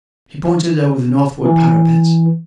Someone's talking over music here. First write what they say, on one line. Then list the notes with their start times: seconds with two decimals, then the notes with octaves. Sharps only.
He pointed over the northward parapet.
1.45 E3